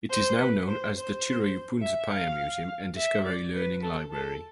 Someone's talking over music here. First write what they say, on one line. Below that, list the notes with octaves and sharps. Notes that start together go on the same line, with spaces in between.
It is now known as the Chirayu–Poonsapaya Museum and Discovery Learning Library.
C5
B4
C5
C5
E5
F5
E5
D5
B4
A4
A4